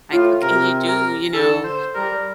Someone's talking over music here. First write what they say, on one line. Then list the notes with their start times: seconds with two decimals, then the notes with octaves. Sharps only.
Like, what can you do?" You know,
0.11 A2 F4
0.42 C3 A#4
0.87 A#4
1.33 D3 A4
1.64 C5
1.94 G3 A#4